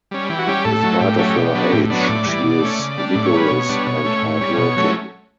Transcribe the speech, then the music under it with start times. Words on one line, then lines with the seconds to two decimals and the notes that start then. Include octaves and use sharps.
In spite of her age, she is vigorous and hard-working.
0.11 G3 C#4
0.30 E3 G4
0.39 F#4
0.47 G3 C#4 G4
0.65 A2 A4
0.83 F#3 A3
1.00 A2 G4
1.18 F#3 A3 C#4
1.36 B2
1.55 F#3 B3 D4
1.72 A2 G4
1.90 F#3 B3 D4
1.99 C#5
2.08 A2 D5
2.26 E3 G3
2.44 B2
2.62 A3 C#4
2.79 C#3
2.98 G3 D4
3.15 A2 D5
3.26 C#5
3.34 G3 C#4 B4
3.48 B2 C#5
3.69 G3 B3 D4
3.87 B2 C#5
4.05 A3 C#4
4.22 A2
4.41 G3 C#4
4.58 B2 C#5
4.77 F#3 A3 C#4